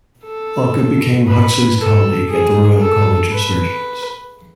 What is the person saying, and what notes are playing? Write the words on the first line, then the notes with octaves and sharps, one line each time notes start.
Hulke became Huxley's colleague at the Royal College of Surgeons.
A4
B4
A4
G#4
A4
B4